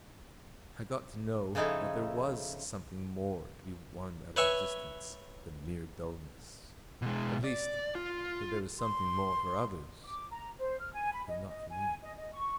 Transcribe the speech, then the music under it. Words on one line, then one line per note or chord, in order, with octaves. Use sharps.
I got to know that there was something more to be won out of existence than mere dulness; at least, that there was something more for others, though not for me.
C#3 F3 C#4 D#4 E4 A4
B4 C#5 E5 G#5 C#6
B2 G#3
D5
F4
C6
D6
A#5
C5
F6
G#5
B5
D#5
D#5
G#5
D#5
D#5
C#6